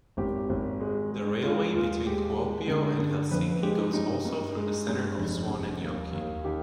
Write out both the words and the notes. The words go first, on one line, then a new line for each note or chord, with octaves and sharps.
The railway between Kuopio and Helsinki goes also through the center of Suonenjoki.
G#1 G4
G#1
G#3
G#3
G#3 F4
D#2 F4
G#3 G4
G#3
D3
D3
F2 B4
G#3 G4
D#4
G2 D#4
G2
G#3
G2
F1
F1
D#2
D#2
D#3 G4